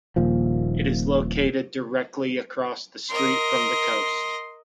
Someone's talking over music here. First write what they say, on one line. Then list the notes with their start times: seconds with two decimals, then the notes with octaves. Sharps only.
It is located directly across the street from the coast.
0.16 D#1 D#2 A#2 F3
3.10 A#4 D#5 C6